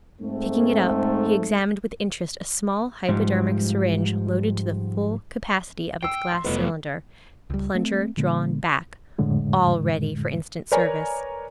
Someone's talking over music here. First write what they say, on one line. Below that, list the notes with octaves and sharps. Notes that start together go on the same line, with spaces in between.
Picking it up, he examined with interest a small hypodermic syringe loaded to the full capacity of its glass cylinder, plunger drawn back--all ready for instant service.
G#2 A3 C4
G#2 F3 G3
G5 E6 C7
C6
F1 B2 G3 B3 B4 D#5
G#2 F#3
C#2 G3
A3 C4
A#2 D3 G#3 B3
F2 A2 D3 G#3
A#4 B4 C#5 D5 G#5 A#5